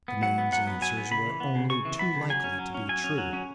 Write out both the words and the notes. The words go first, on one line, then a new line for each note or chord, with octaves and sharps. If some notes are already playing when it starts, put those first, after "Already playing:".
The man's answers were only too likely to be true.
B3
F#3 F#5
B3
F#3 F#5
B3
F#3 G#5
B3
C#3 B5
E3
B3
C#3
C#3 C#6
E3
B3 B5
C#3
F#3 G#5
C#4
F#3
C#4
F#3 G#5
C#4
F#3
C#4